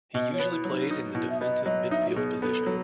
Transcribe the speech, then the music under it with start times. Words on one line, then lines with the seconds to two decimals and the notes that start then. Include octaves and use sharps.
He usually played in the defensive midfield position.
0.14 B2 D#5
0.33 C#5
0.39 B3
0.52 E4
0.65 F#3
0.71 D#4
0.91 D#4
1.15 B2 E4
1.30 E5
1.41 B3 D#5
1.66 F#3 D#5
1.91 D#4 E5
2.09 F#4
2.16 B2 G#4
2.42 B3 A4
2.66 F#3